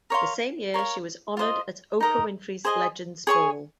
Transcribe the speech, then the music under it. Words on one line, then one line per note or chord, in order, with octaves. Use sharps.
The same year she was honored at Oprah Winfrey's Legends Ball.
A#4 C#5 F5 C6
A#4 C#5 F5
F4 C5 D#5
D#4 A#4 D#5
G#4 C5 D#5 G#5
G#4 C#5 G#5 C#6